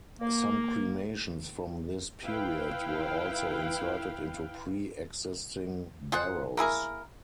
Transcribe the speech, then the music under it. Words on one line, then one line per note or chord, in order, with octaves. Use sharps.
Some cremations from this period were also inserted into pre-existing barrows.
A#3
E4 B4 F5 G5
F4 G#4 C5 F#5
A#3 E4 G#4 A#4